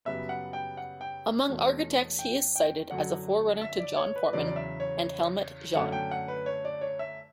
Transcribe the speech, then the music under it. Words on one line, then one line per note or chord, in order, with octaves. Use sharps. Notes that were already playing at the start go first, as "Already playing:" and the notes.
Among architects he is cited as a forerunner to John Portman and Helmut Jahn.
F#2 C#3 G3 B3 E5
F#5
G5
F#5
G5
E2 B2 A3 C#4
G5
G5
F#2 D3 F#3 F#5
E5
D5
C#5
B4
E2 C#3 F#3 D5
D5
E5
C#5
F#2 D3 A3 C#4 F#5
G5
F#5
B4
C#5
D5
C#5
E5